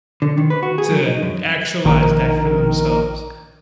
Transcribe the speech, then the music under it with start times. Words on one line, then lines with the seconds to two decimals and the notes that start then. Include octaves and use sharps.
to actualize that for themselves.
0.22 D3
0.37 D#3
0.50 B4
0.63 F#4
0.78 G#4
0.91 F#3
1.06 D#4
1.22 F#2
1.85 A#1 D#3 A#4